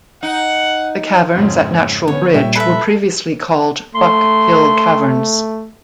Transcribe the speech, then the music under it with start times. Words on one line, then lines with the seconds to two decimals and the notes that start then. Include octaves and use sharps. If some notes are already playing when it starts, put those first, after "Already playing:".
The Caverns at Natural Bridge were previously called Buck Hill Caverns.
0.23 D#4 F#5
1.35 F2 G#2 C#3
2.08 D3 B3 C#4 C#5
2.34 A#2 G3 E5 G5
2.55 A4 B4 E5
3.95 A3 C6